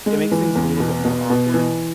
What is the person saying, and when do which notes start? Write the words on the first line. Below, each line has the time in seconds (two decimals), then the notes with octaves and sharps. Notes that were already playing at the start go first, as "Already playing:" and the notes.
it makes things a little bit more awkward,
0.06 G#3
0.31 E3
0.55 E2
0.80 B2
1.05 B2
1.30 B2
1.54 E3